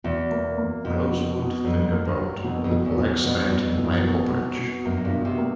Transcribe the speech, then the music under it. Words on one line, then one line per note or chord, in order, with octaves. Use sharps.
Rosewood Fingerboard, with a Black-Stained Maple bridge.
E2 B2
A#3
A#3
F2 B2
B2
B2
F2 F#3
A#3
G2
F#3
F2 B2
F2
B2
E2
B2
E2
F2 B2
E2
B2
F2
B2
F#2
B2
B2
B2
F#2 A#3
F#2
G2
B2
C3
A#3